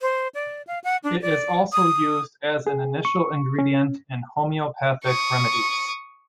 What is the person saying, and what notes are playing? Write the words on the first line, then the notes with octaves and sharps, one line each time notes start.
It is also used as an initial ingredient in homeopathic remedies.
C5
D5
F5
F#5
D4
D5
D#6
G#4
C#6
C#4
C#6 D#6